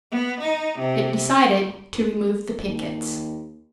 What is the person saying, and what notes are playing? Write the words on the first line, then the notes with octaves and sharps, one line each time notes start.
It decided to remove the pickets.
B3
D#4
C3
D#2